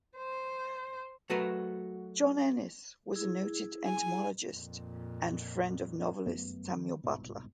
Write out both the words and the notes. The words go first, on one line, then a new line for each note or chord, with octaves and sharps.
John Enys was a noted entomologist, and friend of novelist Samuel Butler.
C5
F#3 A3 F#4 A#4 B4
E4 G#4
G#5
F2 A#2
G1 F#2 A3 B3
D#3
G1 C2 G#2 B2